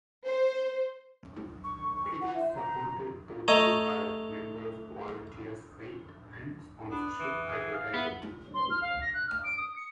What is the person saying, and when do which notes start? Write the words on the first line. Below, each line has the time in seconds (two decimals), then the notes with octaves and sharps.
It is supported totally by members, volunteers, faith and sponsorship advertising.
0.25 C5
1.64 C#6
1.96 C#6
2.21 F#5
2.34 E5
2.56 A#5
3.48 A3 C#5 D#5 A#5
6.90 B3 D4
7.20 E3
7.49 G#4
7.73 F5
7.94 B3 E4
8.54 C6
8.70 F6
8.82 F5
9.01 A#6
9.14 F#6
9.27 F6
9.44 D7
9.58 D#6
9.76 C#7